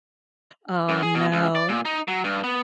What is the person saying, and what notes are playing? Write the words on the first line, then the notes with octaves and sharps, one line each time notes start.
Oh no.
F#2
G#4
B2
C#2
D5
A#2
D#4
F#3
G2
B3